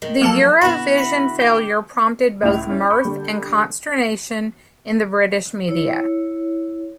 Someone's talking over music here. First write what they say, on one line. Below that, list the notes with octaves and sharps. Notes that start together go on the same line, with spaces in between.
The Eurovision failure prompted both mirth and consternation in the British media.
D#3 G#3
F3 F#3 G#3 A#3 A4 A5
D3 B3 E4 F#4 B5
B5 B6 C#7
G5 D6
C#2 A2 E4 F7
C#4 E4
B5 C#6 D6 G6
D3 G3
E4 C#5